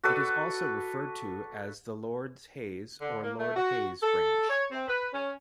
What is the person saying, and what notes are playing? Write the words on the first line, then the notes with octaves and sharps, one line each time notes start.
It is also referred to as the Lords Hayes or Lord Hay's branch.
F#4 A4 B4 D5
D3
A#3
A3
F#4
A4
C#5
C4
B4
C#4